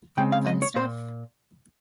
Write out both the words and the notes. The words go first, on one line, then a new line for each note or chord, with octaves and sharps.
Fun stuff.
C#3 G#3 C4 G5
F5
D#5
C#5
A#2 C5